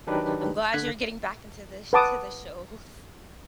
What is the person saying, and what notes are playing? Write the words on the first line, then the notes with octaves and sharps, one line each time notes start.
I'm glad you're getting back into the sh to the shows.
D#3 F#3 D4 D#4 G4 B4
D3 F#6 G#6 B6
B4 F#5 A5 D6 D#6